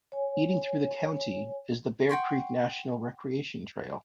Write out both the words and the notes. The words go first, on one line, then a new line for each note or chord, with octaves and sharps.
Leading through the county is the Bear Creek National Recreation Trail.
C#5 G#5
F#5 G5 C6 C#6